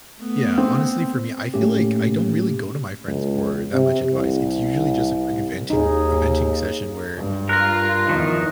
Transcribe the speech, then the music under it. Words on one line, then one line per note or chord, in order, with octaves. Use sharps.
Yeah. Honestly, for me, I feel like I don't really go to my friends for that much advice. It's usually just a quick venting a venting session where
A3 B3
C4
A2 A3 A#3 C#4 G4
C#2
C3
C2
D#2 D#4 G#4
G2
F4 A#4 F#6 A#6
E2 D#3 F3 D#4